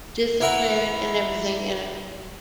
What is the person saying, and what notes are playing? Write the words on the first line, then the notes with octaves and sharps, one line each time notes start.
Discipline and everything and a
E3 A#4 E5 F#5 B5